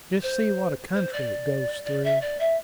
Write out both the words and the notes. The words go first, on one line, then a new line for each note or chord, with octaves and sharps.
Just see what a country it goes through.
C5
C5
D5
D5
E5
D5
E5